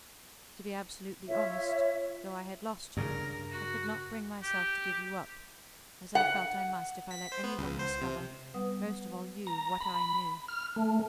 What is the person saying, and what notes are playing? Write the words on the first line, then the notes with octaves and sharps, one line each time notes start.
To be absolutely honest--though I had lost you, I could not bring myself to give you up,--as I felt I must, if I let any one discover--most of all you--what I knew.
F4 C#5 E5
G2 C#3 A#4
F#4
G4
F#5
B6
C5
B3
C#2
C5
C3
G3 B3 B4 F#5 D#6
A#5
B5
F6
A3